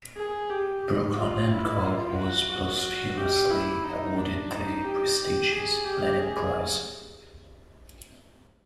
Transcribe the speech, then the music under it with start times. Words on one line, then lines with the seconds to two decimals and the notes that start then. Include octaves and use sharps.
Brukhonenko was posthumously awarded the prestigious Lenin Prize.
0.16 G#4
0.50 G4
1.16 F4
1.50 E4
1.84 F4
2.17 F#4
2.50 F#4
3.17 G4
3.51 E4
3.84 D#4
4.17 D4
4.51 D#4
4.84 G4
5.18 G4
5.51 G#4
5.84 G4
6.18 G#4